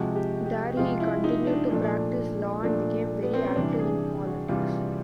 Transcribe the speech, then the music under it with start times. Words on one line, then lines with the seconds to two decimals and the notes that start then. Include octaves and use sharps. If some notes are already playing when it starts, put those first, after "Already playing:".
There he continued to practise law and became very active in politics.
Already playing: C3 F3 G#3 F#4
0.16 G4
0.46 G4
0.77 C3 F3 G#3 F4
1.00 E4
1.24 D#4
1.47 D4
1.70 A#2 F3 A3 D4
2.63 A#2 F3 A3 D4
3.23 B3
3.34 C4
3.45 C#4
3.56 C3 E3 G3 D4
3.79 G#4
4.26 F#4
4.48 C3 E3 G3 F4